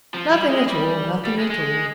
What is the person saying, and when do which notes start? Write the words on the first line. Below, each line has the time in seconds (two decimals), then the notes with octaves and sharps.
"Nothing at all,--nothing at all."
0.14 F3
0.33 G3
0.50 G#3
0.69 G3
1.25 G3
1.38 G#3
1.50 G#3